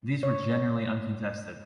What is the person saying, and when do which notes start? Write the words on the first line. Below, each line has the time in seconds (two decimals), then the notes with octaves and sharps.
These were generally uncontested.
0.23 C#5